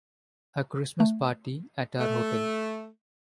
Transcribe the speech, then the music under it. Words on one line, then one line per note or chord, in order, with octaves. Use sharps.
A Christmas party at our hotel?
A3
A3